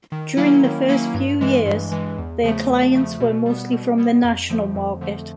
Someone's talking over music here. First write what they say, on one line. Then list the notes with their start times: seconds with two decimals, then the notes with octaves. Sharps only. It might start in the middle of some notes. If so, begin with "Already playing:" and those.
During the first few years, their clients were mostly from the national market.
0.12 D#3
0.37 F#3 A#3 C#4 E4
0.64 D#3
0.88 F#3 A#3 C#4 E4
1.14 G2
1.41 E3 G#3
1.66 G2
1.92 E3 G#3
2.18 E2
2.43 C#3 F3 A3
2.69 E2
2.95 C#3 F3 A3
3.20 B2
3.46 G3 B3
3.73 B2
3.98 G3 B3
4.24 F2
4.49 D3 F3 A3
4.75 F2
5.01 D3 F3 A3